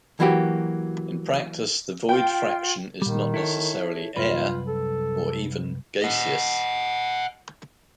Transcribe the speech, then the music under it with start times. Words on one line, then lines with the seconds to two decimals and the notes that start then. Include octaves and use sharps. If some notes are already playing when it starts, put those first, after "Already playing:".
In practice, the void fraction is not necessarily air, or even gaseous.
0.20 E3 F#3 A#3 F#4 G4
2.09 F4 G5
3.02 A#2 D#3 G3
3.34 E4 A4 C#5
4.16 C2 F#2 F4 B4
4.67 A4
6.02 D#5 F#5